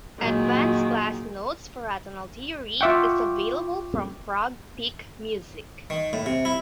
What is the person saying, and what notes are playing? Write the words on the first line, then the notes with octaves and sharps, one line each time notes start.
"Advanced Class Notes for Atonal Theory", is available from Frog Peak Music.
A#2 D#3 F#3 G#3
F4 E5 F#5 G5 C#6 D6
D#3
A2
C3
E4